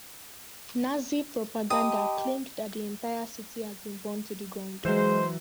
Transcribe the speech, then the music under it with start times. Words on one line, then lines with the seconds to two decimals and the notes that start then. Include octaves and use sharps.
Nazi propaganda claimed that the entire city had been burned to the ground.
1.70 G4 D#5 A5 B5 D#6
4.85 E3 F#3 G#3 C5